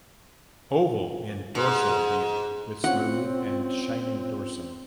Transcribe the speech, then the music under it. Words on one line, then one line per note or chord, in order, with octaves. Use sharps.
Oval in dorsal view with smooth and shining dorsum.
G#2
C4 C#4 F4 C#5 F#5